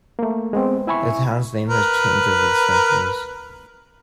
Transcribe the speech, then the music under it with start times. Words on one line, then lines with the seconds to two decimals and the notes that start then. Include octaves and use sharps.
The town's name has changed over the centuries.
0.19 A3 A#3
0.53 G#3 B3 C4
0.87 E4 E5 G#5 B5 C#6
1.69 A#4 B4